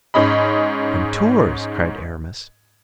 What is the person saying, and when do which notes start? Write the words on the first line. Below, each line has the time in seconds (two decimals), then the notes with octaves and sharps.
"From Tours!" cried Aramis.
0.14 G#2 C#4 D#5 B5